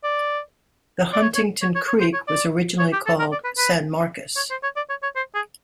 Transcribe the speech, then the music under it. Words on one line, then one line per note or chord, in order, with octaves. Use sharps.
The Huntington Creek was originally called San Marcus.
D5
D5
C#5
C#5
C#5
C#5
C#5
C5
C#5
D5
C#5
G4
A4
A#4
D5
B4
B4
C#5
C5
C#5
D5
C#5
C#5
C5
G#4